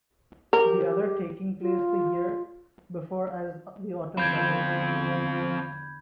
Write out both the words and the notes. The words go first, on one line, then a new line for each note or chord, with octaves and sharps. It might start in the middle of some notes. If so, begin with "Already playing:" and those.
The other taking place the year before as the Autumn Budget.
G4 A#4
F4
E2 D3 F3 C4 F4 B5 G6 G#6